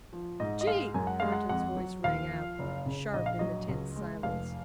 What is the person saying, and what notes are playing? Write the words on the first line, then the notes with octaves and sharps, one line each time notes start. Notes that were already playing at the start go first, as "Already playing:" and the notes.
"Gee!" Thornton's voice rang out, sharp in the tense silence.
F3
G#2 D#5
D#5
G#3 F5
F#2 G#5
F#5
G#3 F5
F#5
F2 F#5
F#3
D#2 F5
F3
F#1
C#3
A#1 D#5
F5
F#3 D#5
C#2
G#3
F1 F5